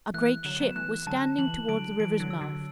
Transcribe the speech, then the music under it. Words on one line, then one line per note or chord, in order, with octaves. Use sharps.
A great ship was standing towards the river's mouth.
E3 A3 F#6
D3 F#3 E7
F#3 B3
E3 A3 F#6
D3 F#3 A5
E3 F#7
D3 F#3 D7
E3 D7
D3 F#3
E6
D3 F#3